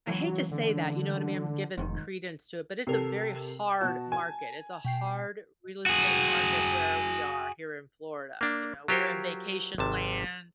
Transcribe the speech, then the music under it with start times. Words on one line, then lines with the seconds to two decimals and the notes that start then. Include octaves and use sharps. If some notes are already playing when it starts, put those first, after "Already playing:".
I hate to say that, you know what I mean? I'm giving credence to it, but it's a very hard market, it's a hard real estate market where we are, here in Florida, you know? We're in vacation land,
0.07 C#2 E3 F#3
0.51 D3
1.78 F1 G#2 D#3
2.87 C3 A4 A#4 C7
3.81 B2 F#4 A5
4.12 G#5
4.85 B2 G5 C7
5.86 F#4 G#4
8.41 A#3 D4
8.88 F#3 F4 G4 A#4 C5 C#5
9.78 G#1 C3 A5